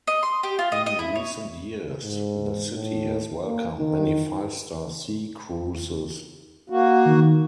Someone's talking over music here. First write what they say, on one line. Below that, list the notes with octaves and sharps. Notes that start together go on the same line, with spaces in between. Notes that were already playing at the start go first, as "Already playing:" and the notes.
In recent years, the city has welcomed many five-star sea cruises.
D#5
C6
G4
F4
D#5
D#5
E4
C#5
G#2
A2
A#3
D#3
A#3 F#4
D#3